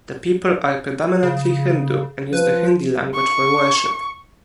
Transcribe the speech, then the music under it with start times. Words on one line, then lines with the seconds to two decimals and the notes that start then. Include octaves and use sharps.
The people are predominantly Hindu, and use the Hindi language for worship.
1.23 C#3
2.33 F3 B4
3.14 C#6